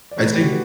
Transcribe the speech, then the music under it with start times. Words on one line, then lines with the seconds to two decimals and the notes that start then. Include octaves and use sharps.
I'd say
0.11 D5
0.17 E3 A3 D4 A4 C#5
0.26 B4
0.34 G4
0.42 F#4